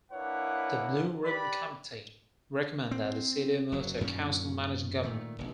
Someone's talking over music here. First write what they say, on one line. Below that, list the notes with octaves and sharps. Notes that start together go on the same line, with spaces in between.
The blue ribbon committee recommend that the city move to a council-manager government.
A#3 D4 E4 B4 C#5 F#5
G4 B4 D5 B5
C4
F#1 F#3
F#2 A#2 D#3 C#4
A#2 D#3 A3
F1 A#1